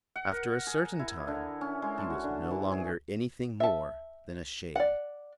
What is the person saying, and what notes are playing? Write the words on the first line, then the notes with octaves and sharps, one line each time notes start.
After a certain time he was no longer anything more than a shade.
F#5
A#4
G#4
E4
D3
C#4
G#3
A5
F#4
D3
E3
G#4
E5 A5
D5 F#5